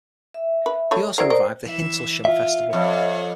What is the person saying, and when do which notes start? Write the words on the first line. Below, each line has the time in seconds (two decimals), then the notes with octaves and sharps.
He also revived the Hintlesham Festival.
0.34 E5
0.66 B4
0.91 A3 B4 C#5
1.18 E4 F#4 A#4 C5 D5
1.30 A#4 C5 D#5
1.68 E3 E5
2.25 F4 E5
2.73 F2 C#5